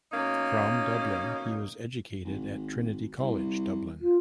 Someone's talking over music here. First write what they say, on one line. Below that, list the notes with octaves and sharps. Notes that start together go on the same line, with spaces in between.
From Dublin he was educated at Trinity College Dublin.
B2 A#3 C#4 D#4
G#1
C2
F4